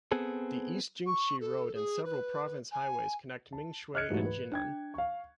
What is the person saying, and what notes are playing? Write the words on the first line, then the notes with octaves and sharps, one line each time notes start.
The East Jingshi Road and several Province Highways connect Mingshui and Jinan.
B3 C4 G#4 A4
C#6
A4
G#4
B4
G#5
A5
D#5 F6 F#6 G#6 C#7
G#2 E3 F#3 G3 A3
B4
D4 G5 G#6
F5 C#6